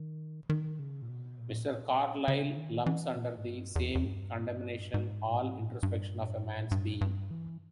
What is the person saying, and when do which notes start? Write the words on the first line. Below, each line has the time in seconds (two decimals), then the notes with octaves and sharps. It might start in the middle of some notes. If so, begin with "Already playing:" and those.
Mr. Carlyle lumps under the same condemnation all introspection of a man's being.
Already playing: D#3
0.50 D#3
0.79 C#3
1.02 A#2
1.09 B2
1.39 A#2
2.28 C#3
2.57 D#3
2.86 E3
3.16 A#2
3.38 G#2
3.46 G2
3.76 E2
3.95 E2
4.05 G2
4.41 G#2
4.50 G2
4.94 G#2
5.83 G2
6.61 G#2
6.71 G2
7.01 G2
7.31 E3